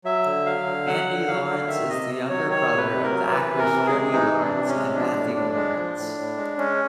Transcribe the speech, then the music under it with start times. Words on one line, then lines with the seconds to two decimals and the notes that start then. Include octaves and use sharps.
Andy Lawrence is the younger brother of the actors Joey Lawrence and Matthew Lawrence.
0.04 F#3 E5
0.26 D3
0.46 F#3 F5
0.66 D3
0.87 F#3 F#5
1.08 D3
1.28 F#3 F5
1.48 D3
1.68 D#3 E5
1.89 C3 D#5
2.09 C3
2.29 F#3 C#5
2.49 D#3 C#5
2.71 C3
2.78 B4
2.91 C3
3.04 A#4
3.11 F#3
3.31 E3 B4
3.52 C3
3.58 A#4
3.72 C3
3.86 G#4
3.93 G#3
4.12 E3 D#4
4.33 C3
4.40 D4
4.54 C3
4.68 C#4
4.75 G#3
4.94 F3 D4
5.15 A2
5.35 A2 D4
5.55 G#3
5.77 F3
5.97 A2
6.18 A2
6.37 G#3
6.58 G#3 C#4